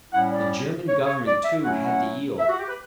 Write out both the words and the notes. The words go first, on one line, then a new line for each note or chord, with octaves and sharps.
The German Government, too, had to yield.
A2 G3 C#4 E4 F#5
D5
C#5
C#5
D5
E5
F#3 A3 C#4 E4 F#5
F#5
E5
F#4
G4
B4